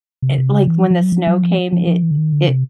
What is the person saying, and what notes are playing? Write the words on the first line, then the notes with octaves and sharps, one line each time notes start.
it like when the snow came, it it
C3
C#3
C3
C#3
E3
F3
F3
F#3
F3
F#3
F3
F3
F3
E3
D3
D#3
D3
C3